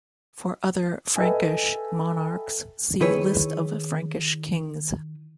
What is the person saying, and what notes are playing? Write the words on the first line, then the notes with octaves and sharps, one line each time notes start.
For other Frankish monarchs, see List of Frankish kings.
A4 B4 D#5 E5 G5 G#5
D#3 E4 G#4 B4 C#5